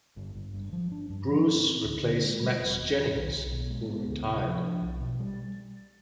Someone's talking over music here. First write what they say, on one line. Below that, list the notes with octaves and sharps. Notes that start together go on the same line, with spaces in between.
Bruce replaced Max Jennings, who retired.
G1
G1
G2
F3
D4
G2
F3
B3
C4
D2
D3
G#3
G3
F1
D#2
D#3
B1
B1
B2
G#3
B3
D2
C3
F3
D4
B1
B2
G3